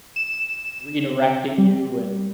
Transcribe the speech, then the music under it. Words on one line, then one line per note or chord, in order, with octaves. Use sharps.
redirecting you, and
E7
G3